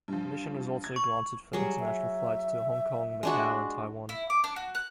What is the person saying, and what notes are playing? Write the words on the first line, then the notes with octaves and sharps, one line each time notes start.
Permission was also granted for international flights to Hong Kong, Macau and Taiwan.
G2 F3
G#6
C#6
F#3 G3 G#4
E5
G#3 D4 F#4
E4
D6
D4
F#4
F#6